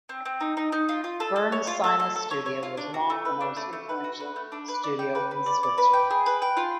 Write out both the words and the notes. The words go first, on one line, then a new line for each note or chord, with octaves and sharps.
Bern's Sinus Studio was long the most influential studio in Switzerland.
C4
C4
D#4
D#4
D#4
F4
F4
A4
A4
C#5
F4
A4
A4
A4
C#5
C#5
F4
D4
F#4
A3
B4
D4
A3
A3
B4
F#4
B4
A3
D4
B4
D5
G5
B4
B4
D5
D5
B4
G5
G#4
B4
G5
F4